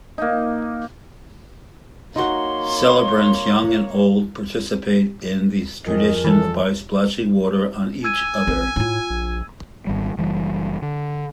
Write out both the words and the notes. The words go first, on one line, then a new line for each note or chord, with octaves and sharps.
Celebrants, young and old, participate in this tradition by splashing water on each other.
A#3 D#4
A#3 D#4 F#4 C#5 F#5 C6
F2 G#3 A#4 D#5
E3 A4
G#5 E6 G#6 D#7
A1 C4
A2 D#4 F4
A#1
G#1 G3
F#1 E3 G3
D3